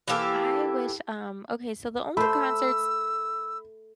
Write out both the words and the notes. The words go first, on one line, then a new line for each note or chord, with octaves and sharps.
I wish, um okay, so the only concerts
E3 A#3 G4 A4
A3 C5 B5 E6